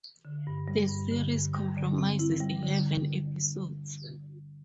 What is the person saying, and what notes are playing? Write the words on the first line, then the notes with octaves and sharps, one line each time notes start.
The series comprises eleven episodes.
D3
G2
G3
G2
D3
G2
G3
D3
C4
E4
G3
D3